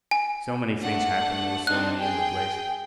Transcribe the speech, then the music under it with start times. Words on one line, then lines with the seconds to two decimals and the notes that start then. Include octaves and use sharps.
So many things happened--there were so many in the place.
0.11 G#5
0.81 A3 D4 F#5
1.67 C4 D4 D#4 F#6
1.98 G#4 G5